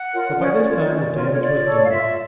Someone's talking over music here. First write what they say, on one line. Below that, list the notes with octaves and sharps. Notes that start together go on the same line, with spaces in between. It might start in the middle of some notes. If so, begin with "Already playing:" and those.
But by this time the damage was done.
Already playing: F#5
F4 A#4 C#5
C#4 D5
F4 A#4 C#5
C#4
F4 A#4 C#5
C#5
F4 D5
A4 C#5
F5
F4 E5